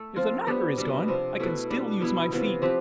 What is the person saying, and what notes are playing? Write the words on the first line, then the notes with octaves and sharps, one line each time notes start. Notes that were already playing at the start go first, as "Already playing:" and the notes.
"If the knocker is gone, I can still use my feet."
Already playing: A3 A4
F3 C4 F4
G3 B3 D4 G4
B2 G3 B3 D4
C3 F3 C4
B2 A3 E4 B4
G3 B3 D4
B2 B3 E4
C3 E3 B3 F4
F3 C4 G4 B4